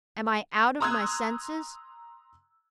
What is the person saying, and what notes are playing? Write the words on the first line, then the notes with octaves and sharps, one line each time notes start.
Am I out of my senses?
A#5 C6 D#6 E6 F#6 G#6